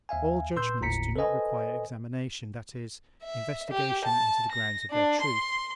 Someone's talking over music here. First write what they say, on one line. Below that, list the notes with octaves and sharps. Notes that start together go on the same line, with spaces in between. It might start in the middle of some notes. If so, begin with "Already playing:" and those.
All judgements do not require examination, that is, investigation into the grounds of their truth.
D#2 E5 F5 G#5
A#2 B4 C6 E6 G6
G1 D#2 A2 A#5 B6 C#7
A4 B4 C5 D#5 G#5
E5
G4
A5
A#6
D4
C6